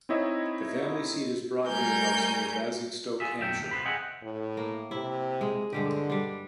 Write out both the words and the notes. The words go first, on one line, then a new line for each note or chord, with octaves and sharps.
The family seat is Broadmere House, near Basingstoke, Hampshire.
C4 D#4 E4 C#5 D#5 E5
G3 A3 A#4 G#5 G6
F4 G#4 E5
B1 F#2 E5 G5
D#2 A2
C3 B3 C5 B5
G#4 D#5 E5 F#5 G5
A2
A#3
C3 E4
G#3
G2 D3 G#3 G4
G3 D4